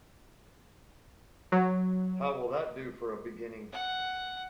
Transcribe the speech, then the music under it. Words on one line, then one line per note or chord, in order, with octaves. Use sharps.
How will that do for a beginning?
F#3
F#5